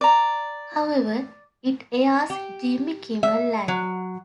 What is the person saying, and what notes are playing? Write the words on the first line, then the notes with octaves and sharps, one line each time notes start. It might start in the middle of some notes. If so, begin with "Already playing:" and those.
However, it airs Jimmy Kimmel Live!
D5 A#5
G4
E5
F#3